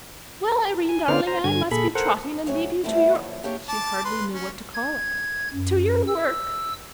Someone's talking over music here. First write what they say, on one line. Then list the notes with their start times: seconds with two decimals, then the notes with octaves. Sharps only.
"Well, Irene darling, I must be trotting, and leave you to your--" she hardly knew what to call it-- "to your work."
0.89 G#5
1.08 D3 B3 C#4 C5 D5 F6
1.27 C5 A#5
1.44 G2 D3 G#5 G#6
1.71 A#2 G#4 A4 B5
1.95 A4 A#4 C5 F#5
2.46 F2 A2 F#3 C#5 G#5
2.84 G3 A3 B3 C4 E4
3.15 F#2 A#2 D#3 F3
3.43 A#3 D4 G4 G#4 A#4 C#5
3.69 A5 D6
4.05 B4 C6
4.32 C#4
4.74 G#6
5.54 F#2
6.08 E6